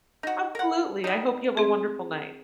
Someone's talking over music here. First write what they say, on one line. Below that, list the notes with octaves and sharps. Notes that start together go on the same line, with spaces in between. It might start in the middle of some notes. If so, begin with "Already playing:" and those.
Absolutely. I hope you have a wonderful night.
D#4 F#4
A#4 F#5
G3 D#4
C4 G#4